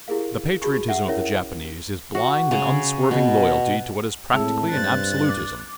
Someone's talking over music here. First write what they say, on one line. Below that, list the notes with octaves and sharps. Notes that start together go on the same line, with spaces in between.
The patriotism of the Japanese is blind and unswerving loyalty to what is practically an absolutism.
E4 G4 G#4 A#4 F5
F#4 G#4 A5 B5 C#6
E5 F#5
C#4 E4 A#4 C#5 E5
F#4
C#3
B2
A2 G#3 C4 G#4 A5
G2 C5 F#6 A6
D6